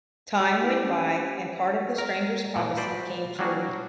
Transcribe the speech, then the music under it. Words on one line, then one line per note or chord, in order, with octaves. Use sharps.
Time went by and part of the stranger's prophecy came true.
G4
E4
C#4
A#4
A#2 E3
F#4 B4 C5 D5
F#3 G3 A#3 D4 F#4 G#4